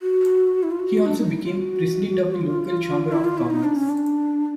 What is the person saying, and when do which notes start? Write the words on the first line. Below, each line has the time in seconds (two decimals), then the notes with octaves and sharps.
He also became president of the local Chamber of Commerce.
0.02 F#4
0.63 E4
0.71 F4
0.79 F#4
1.06 D4
1.18 D#4
1.31 E4
1.44 F4
1.57 F#4
2.34 F4
3.12 E4
3.24 F4
3.38 E4
3.50 D#4
3.64 D4
3.76 C#4
3.90 D4